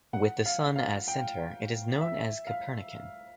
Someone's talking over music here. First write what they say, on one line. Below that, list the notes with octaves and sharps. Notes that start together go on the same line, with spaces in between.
With the sun as center, it is known as "Copernican".
F#5
F5
F5
G5
E5
F5